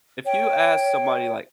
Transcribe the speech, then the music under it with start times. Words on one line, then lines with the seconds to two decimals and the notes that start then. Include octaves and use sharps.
If you ask somebody, like
0.24 C#5 G5